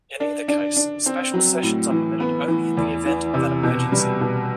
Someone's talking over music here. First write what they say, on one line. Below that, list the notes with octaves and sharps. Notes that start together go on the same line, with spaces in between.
In either case, special sessions are permitted only in the event of an emergency.
D4
D4
D4
C4
F#3
A2
E3
B3
E3
E2
E3
C3
B2
G3
B2